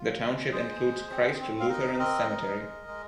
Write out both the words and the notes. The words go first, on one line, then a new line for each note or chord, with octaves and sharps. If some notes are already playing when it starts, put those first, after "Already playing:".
The township includes Christ Lutheran Cemetery.
Already playing: F4
G#3
G#3 G#4 C5
G#3
C4
C4
F5
D#4 A#4 D#5
C4 A#4 D#5
D#4
G#3
G#3